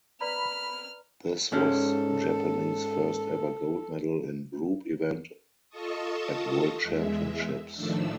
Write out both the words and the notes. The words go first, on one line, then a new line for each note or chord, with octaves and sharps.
This was Japanese first ever gold medal in group event at World Championships.
B4 D5 A#5 B5 F6
G#2 G#3 C#4 A4
F4 A4 D#5 A5 C#6 D#6
E2 G#3 E5
A2 D#3 F3 A3 D4 E6